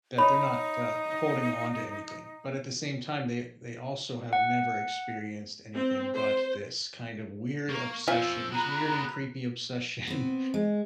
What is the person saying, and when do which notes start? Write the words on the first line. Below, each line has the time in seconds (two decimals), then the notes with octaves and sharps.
That they're not, uh, holding on to anything, but at the same time they they also have never experienced anything but this kind of weird obsession, this weird and creepy obsession
0.18 D#4 C#5 B5
4.33 F#5
5.75 C4
6.15 C5
7.69 A#3 A#4 C#6
8.08 F3 C4 F4 E5 G#5 E6
8.52 F#4 G#4 A#5 B5 F#6
10.07 B3 C4
10.54 G#3